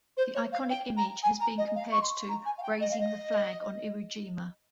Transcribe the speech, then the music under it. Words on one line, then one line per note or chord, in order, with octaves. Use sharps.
The iconic image has been compared to "Raising the Flag on Iwo Jima".
C5
C#5
F5
G5
A#5
G#5
A#5
D#5
F5
C#6
C6
A#5
G#5
F5
G5
D#5
F5
D#5